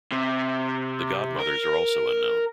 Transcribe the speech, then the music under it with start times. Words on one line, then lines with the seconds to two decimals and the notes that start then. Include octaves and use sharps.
The godmothers are also unknown.
0.11 C3
1.39 A#4